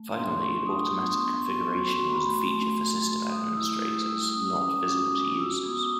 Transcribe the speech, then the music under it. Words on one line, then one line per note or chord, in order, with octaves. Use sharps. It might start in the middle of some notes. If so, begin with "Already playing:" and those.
Finally, automatic configuration was a feature for system administrators, not visible to users.
Already playing: A3
D4 C6
F4 C#6
D4 D#6
B3 D#6
C6
B3 C#6
C6
B3 C#6
C#6
F#4 C6
F#4 C6
B5
A3 C6
A3
A3
A3
G3 D#6
E4 E6
E4 D#6
G3 E6
C#4 D#6
D#6
C#4 D6
D#6
F#4 D6
G#3 D#6
F#4 E6
E6
B3 D#6
D6